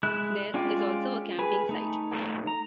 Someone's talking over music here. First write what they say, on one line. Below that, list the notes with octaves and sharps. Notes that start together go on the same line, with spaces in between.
There is also a camping site.
G#3 E4 F#6
G#3 C#4 F4 D5 G5
G#4 B4 G#5
A3 D#4
A#5